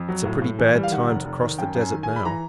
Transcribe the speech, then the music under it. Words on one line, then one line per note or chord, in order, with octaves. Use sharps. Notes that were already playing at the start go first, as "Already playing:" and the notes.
"It's a pretty bad time to cross the desert now."
Already playing: F2
F#3
A2
A2
E3
G3
F5
D#3 F#5
F1
F1
D#3
F#2 G5
F#2
G#5
D#3
G#5
G#3
B5
E3 A#5